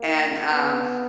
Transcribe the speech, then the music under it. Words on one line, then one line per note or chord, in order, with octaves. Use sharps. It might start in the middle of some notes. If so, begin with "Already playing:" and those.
and um
Already playing: A#3
B3